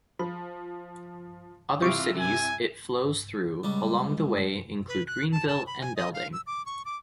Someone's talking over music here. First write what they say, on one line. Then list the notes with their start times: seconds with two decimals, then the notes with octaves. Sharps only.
Other cities it flows through along the way include Greenville and Belding.
0.19 F3 B5
1.82 C3 E3 G3 F4 C#6 D6 D7
2.20 G#5
3.64 C#2 G3
4.88 B4
5.07 F#6
5.32 A5
5.48 A5
5.67 B5
5.81 G#5
5.96 D#5
6.14 F5
6.33 E6
6.47 D6
6.66 C#6
6.85 D6